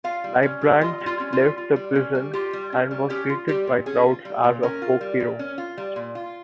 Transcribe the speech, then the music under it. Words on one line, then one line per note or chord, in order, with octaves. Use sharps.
Leibbrandt left the prison and was greeted by crowds as a "folk hero".
F4 F5
G3
C#4
G3
F4 D#5
G3
F4
C#4
F4
G3
F4
G3
C#4
G3
F4 G4
G3
C#4
G3
C#4 G4
F4
G3 G4
A#2
C#4 G#4
F4
G3
A#2
C#4 A#4
F4
G3
A#2
C#4
F4
G3
A#2
F4